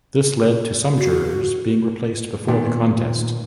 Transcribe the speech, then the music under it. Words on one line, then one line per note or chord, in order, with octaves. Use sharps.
This led to some jurors being replaced before the contest.
F#4
A#2 D#3 B3